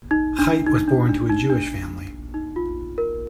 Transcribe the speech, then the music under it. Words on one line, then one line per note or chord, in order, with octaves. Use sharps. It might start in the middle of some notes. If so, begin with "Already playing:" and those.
Chait was born to a Jewish family.
D#4
D4
D#4
D4
D4
D#4
D4
D#4
F4
A#4